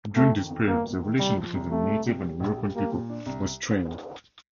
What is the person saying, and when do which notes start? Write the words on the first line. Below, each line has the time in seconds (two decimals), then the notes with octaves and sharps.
During this period, the relations between the native and European people were strained.
0.16 F2 A3
0.32 D#3
0.50 F2
0.67 G1 A#3
0.85 A#3
1.02 D#3
1.19 C2 G3
1.37 F3
1.55 C2
1.71 C3 A3
1.88 C2
2.06 C3
2.23 G3
2.40 A#1
2.57 G3
2.75 G3 A#3
2.92 A#2
3.09 D4
3.26 C2